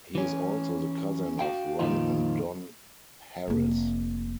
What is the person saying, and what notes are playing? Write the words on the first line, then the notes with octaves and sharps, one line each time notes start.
He is also the cousin of Ron and Don Harris.
E3 C#4
F#4 F5 G5
F2 A#2 D#3 F3 D#4 F4
F1 A#3